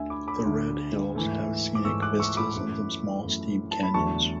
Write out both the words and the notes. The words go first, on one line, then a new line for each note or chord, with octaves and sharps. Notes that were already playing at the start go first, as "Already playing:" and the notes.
The Red Hills have scenic vistas and some small steep canyons.
Already playing: D2 D3 A3 E5 G#5
B5 D6
B5 D6
D2 D3 A3
G#2 E3 A3
D6
G#2 E3 A3 C#6 E6
D6 F#6
C#6 E6
B5 D6
F#2 E3 A3
F#2 E3 A3
A5
B5
E2 D3 F#3 A3 A5 C#6